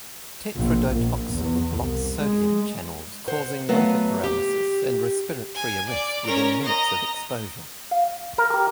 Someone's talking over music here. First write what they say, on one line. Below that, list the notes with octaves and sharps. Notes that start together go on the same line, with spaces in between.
Tetrodotoxin blocks sodium channels, causing motor paralysis, and respiratory arrest within minutes of exposure.
A#1
A#1
E2
C2
G#3
C5 F#5
F#3 A3 B3 D#5 F5 F#5
G4
G#5
D5
C#4 A#4
D#5 A#5
F5
A#4
G4